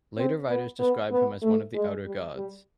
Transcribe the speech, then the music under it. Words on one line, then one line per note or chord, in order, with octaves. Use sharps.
Later writers describe him as one of the Outer Gods.
C4
B3
B3
B3
A3
G#3
G3
G3